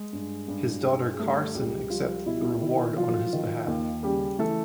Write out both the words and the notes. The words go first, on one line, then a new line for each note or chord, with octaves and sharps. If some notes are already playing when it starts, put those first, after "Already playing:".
His daughter Carson accepted the award on his behalf.
Already playing: G#3 G#4
G2
G2
G2
G#4
G3 A3 A4
C#2 G3 G4
F3 G3 F4
B2 E4
D#3 E4
F3 F#3 F4
D#3
D#2
C#3 G3 G4
E3 A3 A4